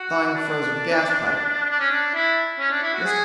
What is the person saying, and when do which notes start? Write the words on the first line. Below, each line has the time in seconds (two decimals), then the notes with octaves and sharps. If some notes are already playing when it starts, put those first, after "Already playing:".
Thawing Frozen Gas Pipe.--Mr.
Already playing: F#4
0.34 D4
1.70 D4
1.80 C#4
1.91 D4
2.14 E4
2.60 C#4
2.71 D4
2.82 E4
2.94 F#4
3.05 G#4